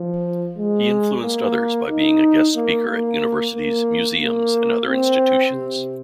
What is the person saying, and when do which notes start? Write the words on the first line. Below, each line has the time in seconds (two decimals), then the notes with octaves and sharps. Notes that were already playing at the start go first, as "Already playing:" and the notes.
He influenced others by being a guest speaker at universities, museums, and other institutions.
Already playing: F3
0.57 G#3
1.23 A#3
1.90 D#4
2.56 A#3
2.89 A#3
3.55 A#3
4.21 A#3
4.87 C4
5.53 C3